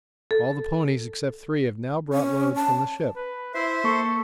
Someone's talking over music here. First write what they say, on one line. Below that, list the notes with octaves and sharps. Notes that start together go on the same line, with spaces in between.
All the ponies except three have now brought loads from the ship.
A4
C#4
A5
B4
E4 C5 E5 C6
A#3 A4 C#6